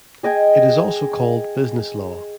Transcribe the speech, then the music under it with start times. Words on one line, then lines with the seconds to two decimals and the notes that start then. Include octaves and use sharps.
It is also called business law.
0.23 G#4 D#5 G5 G#5